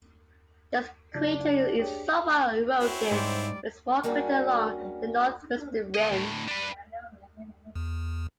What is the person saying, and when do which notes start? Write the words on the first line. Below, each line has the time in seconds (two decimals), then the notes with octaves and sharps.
This crater is somewhat eroded, with a small crater along the northwestern rim.
1.15 F#1 D4
1.79 D4 G4 G#4 C#5
2.80 C4 C#4 E4 F#4
3.11 G#2 G3 D5
4.03 G3 A#3 C#4 D4 F#4 G#4
5.95 D2 D#5
6.12 D2 A2
6.48 D4 B4
7.75 E2